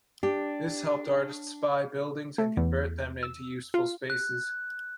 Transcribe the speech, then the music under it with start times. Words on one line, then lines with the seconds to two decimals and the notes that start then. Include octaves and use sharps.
This helped artists buy buildings and convert them into useful spaces.
0.23 D4 G4
2.38 A3
2.57 E2
3.23 E6
3.74 F4
4.10 F#6